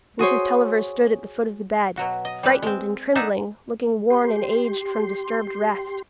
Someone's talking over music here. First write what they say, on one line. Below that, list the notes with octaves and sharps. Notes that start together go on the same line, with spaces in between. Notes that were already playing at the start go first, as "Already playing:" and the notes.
Mrs. Tulliver stood at the foot of the bed, frightened and trembling, looking worn and aged from disturbed rest.
F#4 G#4 C5 C#5
B2 F#3 F#4
D#5
G3 C#4 B4
G#3 C4
D4 D#4 G#4 E5 F#5 G#5
G4 C6